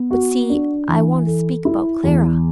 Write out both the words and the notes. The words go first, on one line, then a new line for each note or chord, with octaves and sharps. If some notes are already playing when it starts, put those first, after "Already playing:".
But see, I want to speak about Clara.
Already playing: B3
F#4
D4
E3
A4
E4
E2